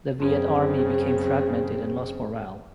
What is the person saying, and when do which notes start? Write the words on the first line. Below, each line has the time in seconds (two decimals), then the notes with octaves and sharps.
The Viet army became fragmented and lost morale.
0.19 F#2 C#3 C4